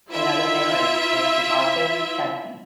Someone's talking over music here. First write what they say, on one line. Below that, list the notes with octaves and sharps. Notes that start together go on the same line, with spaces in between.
Another marriage was to Arthur Chesney.
E4 F4 E5